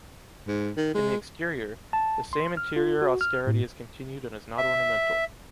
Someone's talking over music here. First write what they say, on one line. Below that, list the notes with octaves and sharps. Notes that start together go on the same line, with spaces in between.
In the exterior, the same interior austerity is continued and is not ornamental.
G#2
D#3
G#3
A5
C6
F6
F4
F#4
F6
A2
E5